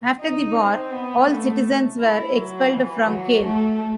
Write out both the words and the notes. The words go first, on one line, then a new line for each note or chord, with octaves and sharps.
After the war, all citizens were expelled from Kehl.
D#4
C4
B3
A3
E4
F#3
E3
F#3
A3